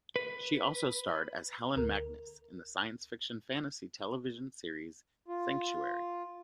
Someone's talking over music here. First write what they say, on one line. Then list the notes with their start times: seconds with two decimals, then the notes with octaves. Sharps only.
She also starred as Helen Magnus in the science fiction-fantasy television series "Sanctuary".
0.16 B4
1.76 D2 A#4
5.28 F4